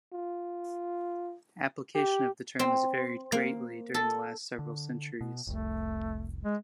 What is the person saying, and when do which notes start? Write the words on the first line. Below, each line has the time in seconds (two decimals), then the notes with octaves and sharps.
Application of the term has varied greatly during the last several centuries.
0.12 F4
1.95 G4
2.59 C4
3.32 A#3
3.94 A4
4.59 D3
5.21 B2
5.47 F1 C2 A3
6.44 G#3